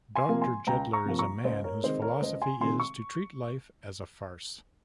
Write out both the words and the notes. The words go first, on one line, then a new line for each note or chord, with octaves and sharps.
Doctor Jeddler is a man whose philosophy is to treat life as a farce.
G#5 C6
C3 F3 A#3
G#5 C6
C#2 G5 A#5
A#5 C#6
C3 F3 A#3
A#5 C#6
C#2 C5 D#5
A#4 C#5
C3 D#3 G#3 C4 C5 D#5
A#4 C#5
C#2 C5 D#5
G#5 C6
C3 D#3 G#3 C4 G#5 C6
C#6